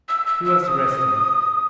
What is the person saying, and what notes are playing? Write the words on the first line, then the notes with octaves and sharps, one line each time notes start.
He was resting.
E6
E6
E6
E6
D#6